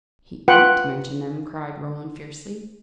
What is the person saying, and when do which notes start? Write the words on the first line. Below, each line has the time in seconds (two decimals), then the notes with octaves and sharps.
"He ought to mention them," cried Roland fiercely.
0.48 F4 B4 F#5 G5